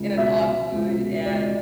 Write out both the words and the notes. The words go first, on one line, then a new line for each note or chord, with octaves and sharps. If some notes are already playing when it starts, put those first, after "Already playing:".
in an off-mood, and
Already playing: C#2
B2 E5
B2
C#2
B2
C#2 D5